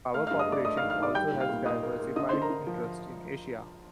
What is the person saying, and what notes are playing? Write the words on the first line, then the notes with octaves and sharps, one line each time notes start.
Power Corporation also has diversified interests in Asia.
A3 F5 F6
G2 F5 F6
D#5 D#6
A3 D5 D6
A3 D#5 D#6
D#3 F5 F6
F5 F6
D#3 D5 D6
G3 G5 G6
A#2
F5 F6
A#2
A#2 D#5 D#6
A#3
A#3
D3 D#5 D#6
D3 C5 C6
A#4 A#5
D3
F3